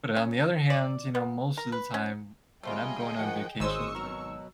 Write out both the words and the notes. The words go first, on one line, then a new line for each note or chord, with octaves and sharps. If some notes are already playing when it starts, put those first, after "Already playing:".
But on the other hand, you know, most of the time when I'm going on vacation, like,
C#4
D5
B3
A#4
B4
C#4
C3 G3 A3 C4 F4 G#4 D#5 G5
D#3 F3 F#5
G#1 D#3 G#3 C#4 C5 C#6 D#6 E6
B2 F#3 F#4 A#4